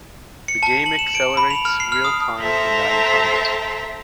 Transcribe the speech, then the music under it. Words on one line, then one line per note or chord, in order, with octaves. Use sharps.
The game accelerates real time when not in combat.
C#7
A5
F#7
E7
D7
B5
F7
F6
C7
F6
D#6
A4 C5 E5 G5 A5 A#5